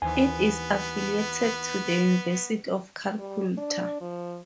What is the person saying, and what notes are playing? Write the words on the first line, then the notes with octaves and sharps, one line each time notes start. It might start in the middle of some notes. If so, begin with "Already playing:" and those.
It is affiliated to the University of Calcutta.
D#2 E3 B3 D#4 C5 G#5
G3
D4
F3